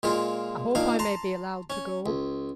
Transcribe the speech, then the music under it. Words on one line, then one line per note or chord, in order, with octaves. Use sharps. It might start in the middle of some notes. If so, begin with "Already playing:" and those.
'I hope I may be allowed to go?'
A#2 G#3 A#3 F4
A#2 D4 D#4 F5
A5 A#5 C6
C#4
C#2